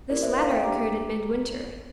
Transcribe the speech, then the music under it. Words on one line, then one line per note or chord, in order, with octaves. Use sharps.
This latter occurred in midwinter.
A#3 E4 G4 A#4 D5
C5 E5
D5 F5
E5 G5
A#3 D4 G4 A#5 D6